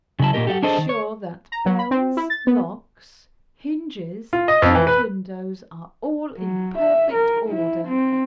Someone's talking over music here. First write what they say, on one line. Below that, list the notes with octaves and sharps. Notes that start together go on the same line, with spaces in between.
Be sure that bells, locks, hinges, and windows, are all in perfect order.
C#3 F#3 E4 A5
A#2 A#3 F4 G4 A#4 D#5
G4 A4 E5 F#5
D4 G#4 A4 C5 D#5
D#3
C#5
A#5
F#3
B5
C4
E4
A6
B3
F4
D#5
F2
E3
B4
F#3
E5
A#4
E4
C4